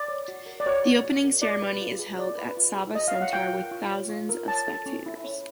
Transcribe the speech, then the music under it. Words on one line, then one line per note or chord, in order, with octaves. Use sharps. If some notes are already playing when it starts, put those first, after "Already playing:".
The opening ceremony is held at Sava Centar with thousands of spectators.
Already playing: D5
C#5
F#4
A#4
D5
F#4 C#5
C#5
F#4
A#4
F4 D5
B4
F4
G#4
F4 D5
B4
F4
G#4
F4 D#5
F5
C#5
F#5
F4 G5
A#4
F4
C#5
F4
A#4
C#5 A5
A4
C#4
E4
C#5